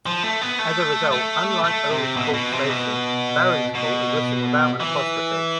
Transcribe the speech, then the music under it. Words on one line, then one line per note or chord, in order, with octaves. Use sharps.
As a result, unlike Earl's Court station, Barons Court is written without an apostrophe.
F3
A3
B3
A3
A3
A3
C3
B2
B2
C3
B2
B2
E3